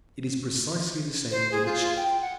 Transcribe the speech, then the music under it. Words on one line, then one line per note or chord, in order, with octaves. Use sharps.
It is precisely the same with the Church.
C5
G#4
F4
F4
G5
F#5